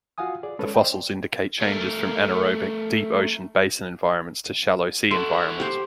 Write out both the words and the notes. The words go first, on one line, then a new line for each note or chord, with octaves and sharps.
The fossils indicate changes from anaerobic, deep ocean-basin environments to shallow sea environments.
F4 F#4 F5 F#5 G#5 D#6
G#4 D5
G#3 C#4 A4 B4 C#5
C5 D5 D#5 G5
A3 A#4
E4 F#4 A4 C6
G4 C5